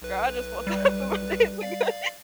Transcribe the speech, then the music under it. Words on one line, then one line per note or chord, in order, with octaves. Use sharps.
"Girl, I just woke up and my day is good."
B1 B4
G3
D5 F5